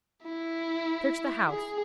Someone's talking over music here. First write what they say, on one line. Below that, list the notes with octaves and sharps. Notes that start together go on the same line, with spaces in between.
Search the house.
E4
G#4